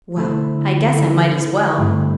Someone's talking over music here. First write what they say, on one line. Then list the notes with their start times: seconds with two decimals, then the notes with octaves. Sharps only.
Well, I guess I might as well.
0.16 D3 A3 E4 A4 C5
0.96 D3 A3 E4 A4 C5
1.78 G2 D3 A3 C4 E4